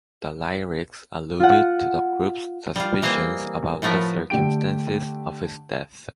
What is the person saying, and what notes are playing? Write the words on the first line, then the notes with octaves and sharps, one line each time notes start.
The lyrics alluded to the group's suspicions about the circumstances of his death.
F4 F#5
G3 F4
E3 A#3 C4 C5 D#5
A2 F3 A3 B3 A#4
D3 A3 G4 G5 D7